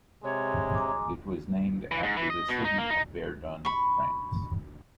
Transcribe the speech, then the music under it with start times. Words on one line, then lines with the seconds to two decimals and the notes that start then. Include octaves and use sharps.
It was named after the city of Verdun, France.
0.24 C3 G#3 C#5
0.75 G#5 A#5 D6
1.91 E3
2.03 G#2
2.17 E3
2.30 D#5
2.49 B2
2.65 D#4
2.78 A#3
2.90 D#4
3.65 B5 C#6